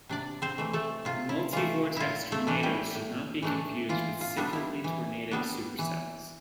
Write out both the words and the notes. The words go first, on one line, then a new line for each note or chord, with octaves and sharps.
Multivortex tornadoes should not be confused with cyclically tornadic supercells.
C3 D4 D5
C4 C5
E3 A3
A3 A4
C3 F4
E4
E3 A3 F4
A2 E4 F4
A3 A4
E3 A3 D4
G3 G4
A2
E3 A3 D4
E3 F4
F4
G3 B3 D4
E4
E3
G3 B3 D4
E3